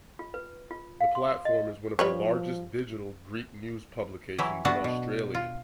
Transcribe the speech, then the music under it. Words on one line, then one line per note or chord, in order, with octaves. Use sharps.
The platform is one of the largest digital Greek news publications in Australia.
F4
B4
F4
F5
C6
D#5
F3 G3 B4 C#5
E3 F#3 E4 G4
A3 B3 D4 F#4 A5
B2
F4